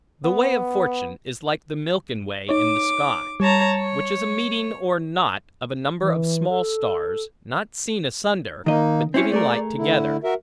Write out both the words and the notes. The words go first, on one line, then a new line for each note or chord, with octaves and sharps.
The way of fortune, is like the Milken Way in the sky; which is a meeting or knot of a number of small stars; not seen asunder, but giving light together.
B3
D#4 C#5 D6
G3 C#5 A5 A#5
C#5
E3
A4
D#3 A#3 D#4 D#5
C4 C#4 E4 C#5
A3 G#4 A#4 D5
D3 E4
F#4 A#4 E5